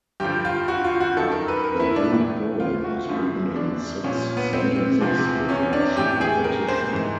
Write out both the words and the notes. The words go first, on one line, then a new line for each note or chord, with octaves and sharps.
The whole poem is written in six sentences with much repetition.
G2 D3 F3 G4
F4
F#4
F4
F#4
F#2 D#3 A4
A#4
B4
A#4
E4
D4
A2 E3
F4
F#4
F#2 C#3 F3
D4
A#2 F3 C#4
B3
C4
C4
E2 C3 F3
C#4
D4
A2 E3 G4
G#4
A#4
C5
G#2 E3